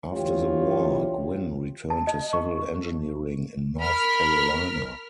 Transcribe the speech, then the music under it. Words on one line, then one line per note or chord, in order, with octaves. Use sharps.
After the war, Gwynn returned to civil engineering in North Carolina.
D2 E3 F4 G4 C#5
A5
D#5
C#6
A#4 B5 F6 B6